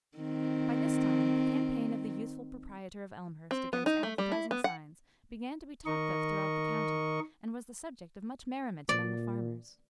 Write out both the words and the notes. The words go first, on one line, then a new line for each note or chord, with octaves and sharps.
By this time the campaign of the youthful proprietor of Elmhurst against advertising signs began to be talked of throughout the county, and was the subject of much merriment among the farmers.
D#3 C4
C4
B3
D#4
A3
G3
E4
B3
F#5
D#3 A#4 D#5 C#6
A#2 D5